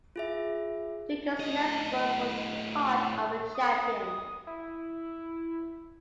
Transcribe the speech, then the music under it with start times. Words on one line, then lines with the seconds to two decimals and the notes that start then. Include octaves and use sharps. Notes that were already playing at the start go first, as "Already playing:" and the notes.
Deuker's next book was "Heart of a Champion".
0.16 F4 G#4 E5
1.40 A2 D#5
3.55 D#6
4.47 E4